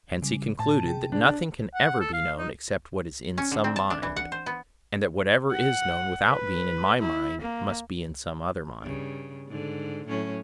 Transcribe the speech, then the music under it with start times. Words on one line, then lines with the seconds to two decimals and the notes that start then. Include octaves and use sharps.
Hence he concluded that nothing can ever be known except what is in some mind, and that whatever is known without being in my mind must be in some other mind.
0.22 C#3 G3
0.59 A2 A5
0.84 C3 G#4 G5
1.12 D4
1.74 F#5
2.00 A4
2.13 F5
2.38 D#4
3.38 C#4
3.51 D3
3.64 C4
3.76 A5
3.90 D4
4.03 E3
4.16 F#5
4.32 C5
4.46 B3
5.52 F#5
6.28 B4
6.99 E4
7.41 A#3
8.81 G2 C#3
9.48 G#2 D3
10.07 A2 F#3 C#4